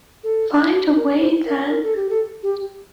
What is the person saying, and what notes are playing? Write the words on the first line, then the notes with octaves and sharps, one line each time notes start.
Find a way, then!
A4
A#4
C5
A#4
A#4
A4
G4
A4
G4